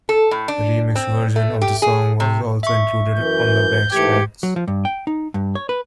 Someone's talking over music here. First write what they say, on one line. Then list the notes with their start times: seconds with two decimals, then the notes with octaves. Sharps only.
The remixed version of the song was also included on the Wax Trax!
0.09 A4
0.31 A2
0.48 D4
0.95 C4
1.36 A3
1.62 G4
1.82 G#4
2.20 C3
2.63 E5 C#6
3.16 F#2 E3 G6
3.92 G#2 E3 A3 G4 G#6 C#7
4.43 F#3
4.56 F3
4.68 G2
4.85 G5
5.07 D#4
5.34 G2
5.55 C#5
5.69 B4